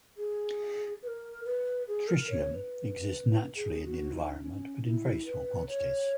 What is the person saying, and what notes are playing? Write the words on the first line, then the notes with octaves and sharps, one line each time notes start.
Tritium exists naturally in the environment, but in very small quantities.
G#4
B4
A#4
B4
G#4
A#4
C#5
C#5
B4
G#4
F#4
D#4
C#4
E4
B4
C#5